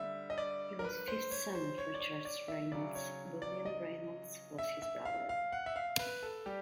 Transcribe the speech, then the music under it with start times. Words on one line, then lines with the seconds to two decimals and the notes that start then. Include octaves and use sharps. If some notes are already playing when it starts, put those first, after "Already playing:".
He was fifth son of Richard Rainolds; William Rainolds was his brother.
Already playing: D3 G3 E5
0.30 D#5
0.38 D5
0.79 A#4
0.84 B4
1.08 C5
1.31 C#5
1.55 C5
1.78 C#5
1.94 D5
2.01 C#5
2.25 D5
2.48 E5
2.71 C#3 F#3 D5
2.95 C#5
3.42 D5
3.66 D#5
4.59 E5
4.82 E5
5.05 F5
5.29 F5
5.52 F#5
5.66 E5
5.76 F5
5.99 B4
6.23 A4
6.46 G3 G4